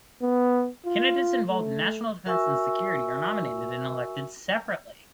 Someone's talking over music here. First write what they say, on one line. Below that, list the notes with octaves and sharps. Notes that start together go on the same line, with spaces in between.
Candidates involved in national defence and security are nominated and elected separately.
B3
F4
A3
F#4 A#4 E5 G#5 C#6 E6